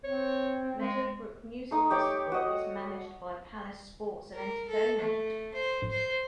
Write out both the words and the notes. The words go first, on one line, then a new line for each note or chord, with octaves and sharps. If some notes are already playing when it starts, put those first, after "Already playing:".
Meadow Brook Music Festival is managed by Palace Sports and Entertainment.
C4 C#5
G#3
A3 D#4 D#6
G4 C#5 G5 D6
F#4 D#5
A#4
A4
A3
C5
C5